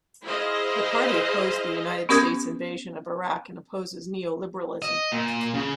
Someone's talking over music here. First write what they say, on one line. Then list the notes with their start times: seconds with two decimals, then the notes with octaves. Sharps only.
The party opposed the United States invasion of Iraq and opposes neoliberalism.
0.24 E4 G#4 C5 D#5 F5
2.09 B3 C#4 G4 A#4 D#6 G#6
4.82 D#5
5.12 A#2
5.54 C#3